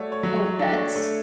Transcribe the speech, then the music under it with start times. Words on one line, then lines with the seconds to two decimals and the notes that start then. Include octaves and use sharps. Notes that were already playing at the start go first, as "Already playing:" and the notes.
Oh, vets?
Already playing: A3 F#4 C#5 D5
0.12 C#5
0.23 F#3
0.35 C#5
0.59 D4 A4
0.77 C#5
0.96 A3